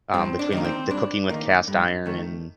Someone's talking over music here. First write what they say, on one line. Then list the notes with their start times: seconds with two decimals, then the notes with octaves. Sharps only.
um, between, like, the cooking with cast iron and
0.14 G2 C4
0.39 D4
0.52 D#3 A#3
0.64 C4
0.90 G2 D4
1.30 D#3 A#3
1.68 G2
2.06 D#3 A3